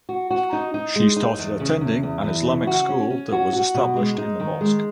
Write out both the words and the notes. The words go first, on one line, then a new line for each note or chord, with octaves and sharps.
She started attending an Islamic school that was established in the mosque.
F#4
F#4
D#4
D#4
G#3
D#4
E2
C#3
E2
E2
E3
C#3
F#4
C#4
C#4
F#4
F#4
B2
G#3
D#4
D#3
G#3